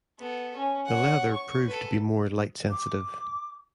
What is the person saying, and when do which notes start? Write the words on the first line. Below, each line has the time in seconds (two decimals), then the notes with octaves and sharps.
The leather proved to be more light-sensitive.
0.19 B3 A4
0.56 C#4
0.86 C#5 F#5
1.31 C#6
1.67 A4 B4
2.71 D6